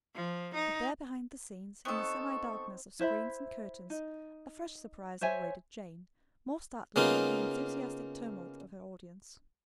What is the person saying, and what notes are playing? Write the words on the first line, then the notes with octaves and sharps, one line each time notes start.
But there, behind the scenes, in the semi-darkness of screens and curtains, a fresh surprise awaited Jane, more startling than the enthusiastic tumult of her audience.
F3
D#4
B3 C4 D#4 A4 C#6
E4 C5 E5 B5
D#4
C5 C#5 E5 G#5
C#3 A#3 B3 D#4 F4